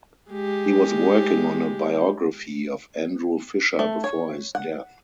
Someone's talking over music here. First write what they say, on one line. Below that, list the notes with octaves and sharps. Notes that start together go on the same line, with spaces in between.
He was working on a biography of Andrew Fisher before his death.
G#3 G4
A3
C#5
F#5